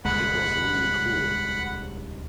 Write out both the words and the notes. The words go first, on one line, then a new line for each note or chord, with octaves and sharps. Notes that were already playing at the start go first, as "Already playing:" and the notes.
It was really cool.
D#1 C#2 G#3 F#5 B5